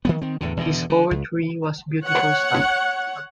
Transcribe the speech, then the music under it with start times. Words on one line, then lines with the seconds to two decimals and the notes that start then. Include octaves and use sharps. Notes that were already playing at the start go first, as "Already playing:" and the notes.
His poetry was beautiful stuff.
0.05 D#3 F3 B3
0.21 D#3 C4
0.41 E2 A2 D3
0.57 E2 B2 D3
0.90 D3
1.11 C#2
2.04 C#5 F#5